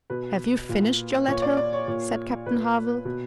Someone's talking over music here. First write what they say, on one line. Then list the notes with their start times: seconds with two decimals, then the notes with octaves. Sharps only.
"Have you finished your letter?" said Captain Harville.
0.10 B2 B4
0.69 A#2
1.28 A#2 C#5
1.42 D5
1.57 D5
1.73 C#5
1.87 A#2 C#5
2.46 A#2 B4
3.05 B2